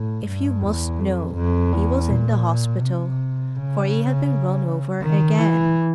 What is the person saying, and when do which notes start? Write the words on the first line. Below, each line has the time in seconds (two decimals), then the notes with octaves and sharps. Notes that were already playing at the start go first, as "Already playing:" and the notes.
If you must know he was in the hospital, for he had been run over again.
Already playing: A2
0.26 G2
0.62 E2
0.99 F2
1.36 F2
1.72 E2
2.09 A#2
2.82 C3
3.55 C#3
5.02 D#3
5.39 E3